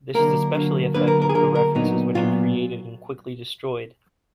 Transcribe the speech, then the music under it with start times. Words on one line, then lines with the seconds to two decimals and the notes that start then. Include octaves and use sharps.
This is especially effective for references which are created and quickly destroyed.
0.14 D3 F#3 A#3 A#4
0.55 D3 F#3 A#3
0.95 D3 F#3 A#3 B4
1.08 A#4
1.22 A#4
1.29 G#4
1.34 D3 F#3 A#3 A#4
1.55 A#4
1.75 A#2 F#3 B3 D#4
2.15 A#2 F#3 B3 F4